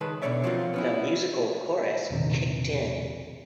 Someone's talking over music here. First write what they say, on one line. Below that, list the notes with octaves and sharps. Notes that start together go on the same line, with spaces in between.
The musical chorus kicked in.
C#2 D#3 G#3 B4 A5
B2 D3 G3 C#5 D5 E5
F3 F#3 A#3 C4 F4
B3 C#4 E4
E1 A#1 C3 D#3